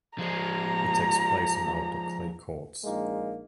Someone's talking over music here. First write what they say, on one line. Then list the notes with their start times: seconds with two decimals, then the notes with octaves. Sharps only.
It takes place on outdoor clay courts.
0.19 F3 G#3 A#5
2.84 A#1 G#3 A#3 D#4